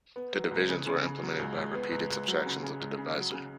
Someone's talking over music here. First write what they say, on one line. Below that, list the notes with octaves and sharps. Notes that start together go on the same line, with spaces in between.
The divisions were implemented by repeated subtractions of the divisor.
B3
F#3
C#2
C#3
C#3
C#3
F#3
C#2
C#2
B3
C#2
C#2
F#3
C#3
C#3
C#2
C#3
F#3
C#3